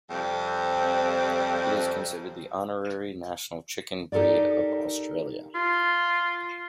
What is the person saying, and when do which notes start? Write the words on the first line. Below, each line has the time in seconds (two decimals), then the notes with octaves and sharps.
It is considered the honorary National Chicken Breed of Australia.
0.10 F2 C3 G3 C4
4.12 D#4 G4 A4 A#4 D5
5.55 F4